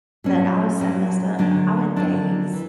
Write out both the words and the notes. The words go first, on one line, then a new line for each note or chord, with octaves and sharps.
that I was so messed up, I went days,
A#2 F#3 C#4
A#2 F#3 C#4
D3 F#3 A#3 D4
D3 F#3 A#3 D4
E3